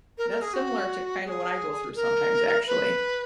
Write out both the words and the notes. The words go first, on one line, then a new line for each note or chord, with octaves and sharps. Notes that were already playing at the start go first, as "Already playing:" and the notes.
that's similar to kinda what I go through sometimes, actually.
A#4
A#4
G#4
F#4
G#4
A#4
B4